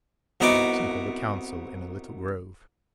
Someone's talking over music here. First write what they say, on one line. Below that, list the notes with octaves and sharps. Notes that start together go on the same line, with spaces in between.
Jackson called a council in a little grove.
C2 B3 D#4 F#4 B4 D6